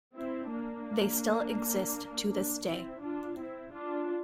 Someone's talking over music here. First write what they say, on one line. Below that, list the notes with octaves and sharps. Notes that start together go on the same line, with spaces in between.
They still exist to this day.
C4 E4
A#3 D4
A#3 D4
C4 E4
D4 F4
C4 E4
D4 F4